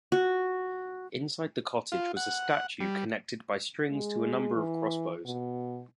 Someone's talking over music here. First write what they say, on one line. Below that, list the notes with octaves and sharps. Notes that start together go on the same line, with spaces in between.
Inside the cottage was a statue, connected by strings to a number of crossbows.
F#4
F4
F#5
G3
G#3
E3
B2